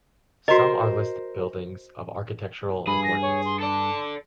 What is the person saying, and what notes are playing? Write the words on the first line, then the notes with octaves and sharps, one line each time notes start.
Some are listed buildings of architectural importance.
F#4 A#4 C5 D#5
G2 G#4 B5
A#6
C#5
C6
A4 D5 A5